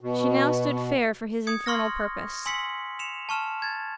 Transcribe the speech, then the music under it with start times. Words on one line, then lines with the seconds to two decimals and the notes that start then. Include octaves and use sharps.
She now stood fair for his infernal purpose.
0.01 B2
1.47 D#6 G#6 C#7
1.66 C6 C#6 F6 A#6
2.46 G#5 C6 E6 B6 C#7 F#7
2.99 C#7 E7 F7
3.29 A5 C#6 F6 E7
3.62 G#6 A6